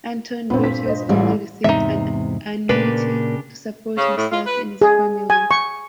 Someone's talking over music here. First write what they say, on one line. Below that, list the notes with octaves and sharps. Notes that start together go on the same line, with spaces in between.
Anton Beatus only received an annuity to support himself and his family.
G2 A#2 B3 C4
C4 B6
C5 D#5
A1 E3 G3 F4
E2 G#2 C3 D#4 E5
A#2 C#3 A#3 D4 G4 B4
C#3
A2
F4
B4
G#4
G#5
C#6